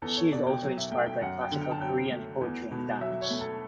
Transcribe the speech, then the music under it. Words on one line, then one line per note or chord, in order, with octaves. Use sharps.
She is also inspired by classical Korean poetry and dance.
E2 A4
C#5
B2 D5
G5
F#3
E5
A3 G5
G5
F#2 F#5
G5
D3
G5
A5
F#3 G5
A3
E2
B2
F#3 E5
C#5
A3
A4